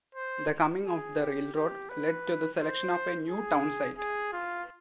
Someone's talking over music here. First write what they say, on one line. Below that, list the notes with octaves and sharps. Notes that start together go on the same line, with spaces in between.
The coming of the railroad led to the selection of a new town site.
C5
G#4
G4
G4
B4
C5
G#4
G#4
F4